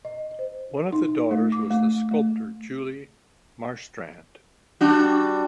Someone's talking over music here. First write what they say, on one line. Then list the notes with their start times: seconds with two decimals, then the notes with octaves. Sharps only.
One of the daughters was the sculptor Julie Marstrand.
0.05 D#5
0.39 C5
0.92 D#4
1.31 A3
1.52 D6
1.71 A3
2.11 A3
4.81 G3 D4 F#4